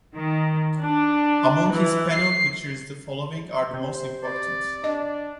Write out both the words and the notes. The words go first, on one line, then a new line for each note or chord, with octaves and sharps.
Among his panel pictures the following are the most important.
D#3
D4
E3
C7
C3 C5
D5
D4 D#5